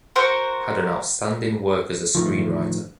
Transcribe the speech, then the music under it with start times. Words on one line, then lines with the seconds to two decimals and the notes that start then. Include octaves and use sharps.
Had an outstanding work as a screenwriter.
0.16 F#4 A#4 C5 F#5
2.15 A2 D3 D#3 F3